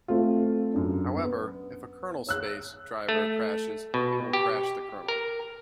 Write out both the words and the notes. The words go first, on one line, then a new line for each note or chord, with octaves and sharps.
However, if a kernel-space driver crashes it will crash the kernel.
A3 C4 F4
F#2 D4
B3
C#5 E6 F#6
A3
B2
G4
A#4